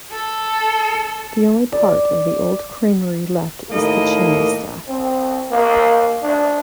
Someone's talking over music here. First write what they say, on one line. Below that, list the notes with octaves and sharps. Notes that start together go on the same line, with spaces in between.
The only part of the old creamery left is the chimney staff.
A4
D5
D#2 A2 A#3 D#5
C4
A#3
D4